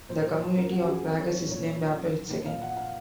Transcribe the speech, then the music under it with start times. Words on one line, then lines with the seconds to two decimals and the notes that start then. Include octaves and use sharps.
The community of Ragas is named after its second.
0.09 A#2 C5
0.26 C5
0.32 F3
0.41 C5
0.57 F#2 A#4
0.72 F#4
0.80 C#3 F3
0.88 G#4
1.04 F2 A#4
1.20 C#5
1.27 D#3
1.51 A#2 C#5
1.74 F3
1.99 F#2
2.22 D#3
2.45 A#2 F5
2.61 F#5
2.69 F3
2.77 F5